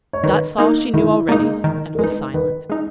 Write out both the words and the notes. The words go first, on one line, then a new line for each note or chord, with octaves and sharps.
Dot saw she knew already, and was silent.
C#5
D#3 B4
A#3 D#4
D#3 E4
G#3 A#3 D#4
D#3
A#4
G#3 D#4 B4
D#3 B4
G#3 D#4